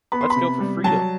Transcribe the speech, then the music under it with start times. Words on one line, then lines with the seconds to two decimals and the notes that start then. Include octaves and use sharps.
Let’s go for Freedom!
0.12 B3 B5
0.21 C6
0.30 B5
0.36 C3
0.60 G3
0.84 F#3 A5